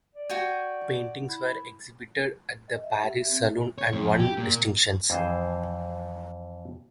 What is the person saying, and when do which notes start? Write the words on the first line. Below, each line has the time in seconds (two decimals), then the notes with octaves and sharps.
Both paintings were exhibited at the Paris Salon and won distinctions.
0.14 D5
0.30 F#4 G5 G#5
1.29 E4
2.68 D#5
2.84 E5
3.03 G4
3.15 E5
3.29 C4
3.78 C#5
3.93 F2
4.19 G4
4.37 A#2
5.10 F2 E3 G#4 C5